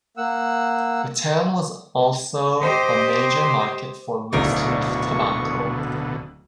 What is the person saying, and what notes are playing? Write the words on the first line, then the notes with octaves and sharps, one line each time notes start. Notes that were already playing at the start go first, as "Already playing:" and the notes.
The town was also a major market for loose-leaf tobacco.
A#3 F#5 E6
G4 C5 D#5
D1 D2 B2 D3 D#4 A#4 D5 C#6